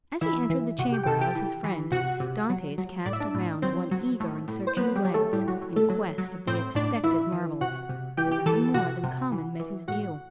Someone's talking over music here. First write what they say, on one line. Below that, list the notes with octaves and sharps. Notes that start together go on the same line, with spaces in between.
As he entered the chamber of his friend, Dantes cast around one eager and searching glance in quest of the expected marvels, but nothing more than common met his view.
E3 E4 E5
E3
C3 F#4 F#5
G4 G5
G5
C3 A4 A5
G4 G5
E3
E3
C3 F#4 F#5
C3
F#3
F#3
A2 D5
E5
D4 D5
A2
F#3 C4 C5
F#3
A2
A2
C5
F#3 B3 B4
G3 G4
F#3
A3 A4
A2 G3 G4
F#3 F#4
A2
A3 A4
F#3
F#3
A2 C4 C5
A2 D4 D5
E3 E4 E5
E3
C3 F#4 F#5
C3
E3 G4 G5
G4 G5
E3 A4 A5
C3 F#4 F#5
C3
E3
E3
A2 F#4 F#5